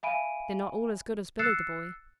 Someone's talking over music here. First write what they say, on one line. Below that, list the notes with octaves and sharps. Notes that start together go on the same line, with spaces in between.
They're not all as good as Billy the Boy.
E5 F5 G#5 B5 D7 D#7
E6 F#6 A6 C7 C#7 E7